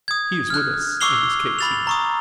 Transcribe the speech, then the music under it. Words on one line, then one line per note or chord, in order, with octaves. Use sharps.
"He is with us in this case, you know."
D#6 G#6
F6 F#6
C#6 D6 E6 C7 F7 G7
B5 A6 F7
A#5 C#6 D#6